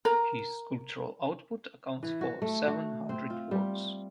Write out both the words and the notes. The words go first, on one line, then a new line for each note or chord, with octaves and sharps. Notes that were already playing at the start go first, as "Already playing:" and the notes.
His sculptural output accounts for seven hundred works.
A#4 A#5
E3
F#4
A3
F#4
C4
F4
G3